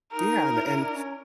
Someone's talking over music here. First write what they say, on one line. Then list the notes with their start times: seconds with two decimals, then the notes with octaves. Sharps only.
Yeah, an and
0.13 D#4 A#4
0.48 D#4
0.54 E4
0.68 E4
0.81 D4
0.95 C#4